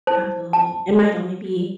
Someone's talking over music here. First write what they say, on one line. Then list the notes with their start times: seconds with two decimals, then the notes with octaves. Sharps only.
Absolutely. It might only be
0.07 E4 C5 A5
0.53 A5